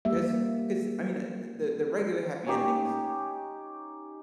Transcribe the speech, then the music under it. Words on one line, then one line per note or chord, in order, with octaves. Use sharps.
'cause 'cause, I mean, uh, the the regular happy endings,
G3 A#3 E5
C#4 D#4 G4